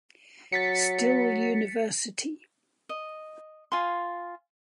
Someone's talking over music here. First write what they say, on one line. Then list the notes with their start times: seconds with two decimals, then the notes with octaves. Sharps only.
Still University.
0.52 F#3 A6 B6 C#7
2.89 D#5
3.72 F4 F5 G#5 C6